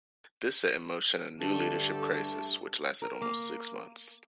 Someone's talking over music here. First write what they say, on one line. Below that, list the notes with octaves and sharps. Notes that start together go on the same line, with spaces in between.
This set in motion a new leadership crisis, which lasted almost six months.
G2 D3 A3 G4 A4
A#4
A#3